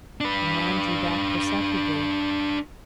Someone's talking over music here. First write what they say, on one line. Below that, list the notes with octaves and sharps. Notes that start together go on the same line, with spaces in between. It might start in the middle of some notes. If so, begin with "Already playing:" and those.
The man drew back perceptibly.
D4 B4